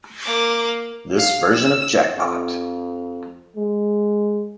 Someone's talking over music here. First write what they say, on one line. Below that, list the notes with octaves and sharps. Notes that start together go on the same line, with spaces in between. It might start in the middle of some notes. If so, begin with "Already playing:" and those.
This version of Jackpot!
A#3 D6
F5
E6
F2
G#3